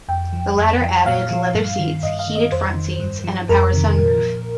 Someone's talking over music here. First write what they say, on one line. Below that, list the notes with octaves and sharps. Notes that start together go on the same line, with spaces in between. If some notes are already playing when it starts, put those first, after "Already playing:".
The latter added leather seats, heated front seats and a power sunroof.
F2 G5
F3
F2
F3
A#2 F5
F3
G2
D#3
G2 D#5
F5
D#3
D#5
F2 C5
D#3
G2
F3
F2 A#4
C3 D#3
A#2
F3